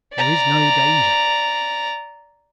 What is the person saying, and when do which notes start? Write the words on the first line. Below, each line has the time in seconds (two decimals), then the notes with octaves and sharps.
"There is no danger."
0.14 D5 A#5